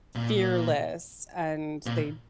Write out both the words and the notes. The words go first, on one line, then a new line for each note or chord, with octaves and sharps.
fearless, and they
A#2
A#2